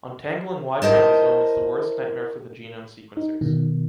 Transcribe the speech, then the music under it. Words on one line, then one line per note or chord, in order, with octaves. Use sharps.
Untangling Y-chromosome is the worst nightmare for the genome sequencers.
E4 A#4 C5 D#5 A5
D#4
B2 D#3